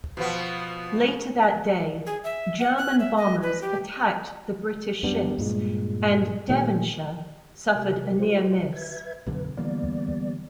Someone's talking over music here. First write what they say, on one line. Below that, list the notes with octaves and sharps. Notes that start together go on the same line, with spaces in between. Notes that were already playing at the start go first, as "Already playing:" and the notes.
Later that day, German bombers attacked the British ships and "Devonshire" suffered a near-miss.
B2 F3 B3
G#4
E5
F#5
F#6
E5
D#5
B4
G4
F#2 G3 B3 D4
G2 A#2 G#3
A#2 D#3 G3 A3
C3 G4 A#4
F4 G4 C5
B4 E5 G#6
B1 F#2 D3 B4
D3 E3 G3 A#3 B3 D5